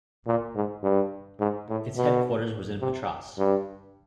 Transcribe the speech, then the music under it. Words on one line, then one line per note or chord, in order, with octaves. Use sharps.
Its headquarters was in Patras.
A#2
G#2
G2
G#2
A2
B2
C3
G2